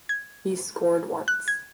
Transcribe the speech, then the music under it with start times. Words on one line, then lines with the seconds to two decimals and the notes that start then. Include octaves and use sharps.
He scored once.
0.09 G#6
1.28 F#6
1.48 G#6